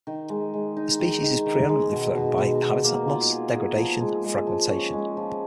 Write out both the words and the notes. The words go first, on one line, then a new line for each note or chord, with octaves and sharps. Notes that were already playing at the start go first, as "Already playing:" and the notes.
The species is pre-eminently threatened by habitat loss, degradation and fragmentation.
D#3
G#3
G#3
D#4
D#3
D#3
D#3
G#3
B2
B2
B2
B2
A#3
F4
G#4
G#4
F3
G#3
G#3
F3
C#4
G#3
F3